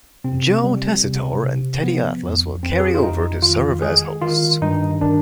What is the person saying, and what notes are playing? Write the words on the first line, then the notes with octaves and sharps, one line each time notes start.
Joe Tessitore and Teddy Atlas will carry over to serve as hosts.
C3 C4
G3
C3
C3
F3 B3
F2
F2 C4
B4
G#4
G4
F4
F2 D#4
D#3 F4
G#3 G#4
D#3 F4
G2 D#4
D#3 D4